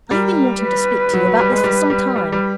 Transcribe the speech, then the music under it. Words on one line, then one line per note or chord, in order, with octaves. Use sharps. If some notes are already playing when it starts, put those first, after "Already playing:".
I have been wanting to speak to you about this for some time.
G3 A#4
B4
F#3
F#3
G3
G#3
G3
G3
G3
G3